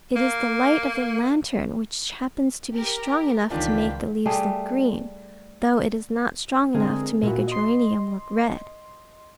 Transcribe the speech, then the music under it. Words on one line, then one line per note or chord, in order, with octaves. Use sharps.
It is the light of the lantern, which happens to be strong enough to make the leaves look green, though it is not strong enough to make a geranium look red.
A#3
G4 A#4
C#2 D#3 E3 D4 F4 B6
G3 A3 G#4
D3 G#3 C4 G#4 A#4
A#2 E4 F#4
D#5 C6